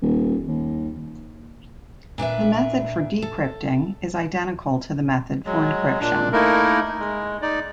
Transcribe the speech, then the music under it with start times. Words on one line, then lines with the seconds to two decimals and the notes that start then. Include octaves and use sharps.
The method for decrypting is identical to the method for encryption.
0.02 D#1
0.48 D#2
2.18 A#2 D4 B4 E5
3.22 A4
5.45 F#3 G#3
6.00 A#2 D4
6.33 A3 A#3 D#4 E4 A#4
6.99 G#3
7.42 D#4 D5